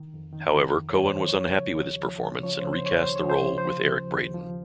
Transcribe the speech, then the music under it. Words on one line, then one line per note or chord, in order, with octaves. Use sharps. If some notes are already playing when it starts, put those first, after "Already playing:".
However Cohen was unhappy with his performance and recast the role with Eric Braeden.
Already playing: D#3
F2
D#3
D#3
F2
F2 C#5
D#3 C5
F3 C#5
C#3
D#2
D#2
F3
C#3
F3 C#5
C#3 C5
C5
D#2 C#5
D#2 C5
F3 C#5
C5
C#3
F3 C5
C#3
D#2
D#2
F3